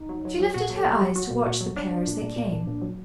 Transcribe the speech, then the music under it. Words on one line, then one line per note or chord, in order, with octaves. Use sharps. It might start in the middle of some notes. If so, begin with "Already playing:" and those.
She lifted her eyes to watch the pair as they came.
Already playing: D#4
F#3
F#3
F#3
A#2 F#4
F#3
A4
A#2 G4
F#3
F#3 F#4
A#2
A#2 F#4
F#3
F#3 D4
F#3
A#2
A#2
A#2
A#2
A#2
F#3